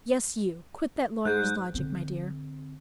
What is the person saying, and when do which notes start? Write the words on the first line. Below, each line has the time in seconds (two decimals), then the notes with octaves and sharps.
"Yes, you; quit that lawyer's logic, my dear."
1.25 G#2 F#6 G6
1.74 D3 C4